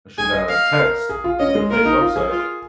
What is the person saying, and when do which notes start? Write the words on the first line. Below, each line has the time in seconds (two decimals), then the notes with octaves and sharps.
she got a text with a fake website
0.18 G#4 G#5
0.33 D#5
0.49 F5
0.79 A#4
1.10 G#4
1.24 F4
1.39 C#4 D#5
1.55 G#3
1.70 A#3 A#4
1.85 D#4
2.01 F4
2.16 G#4
2.31 F4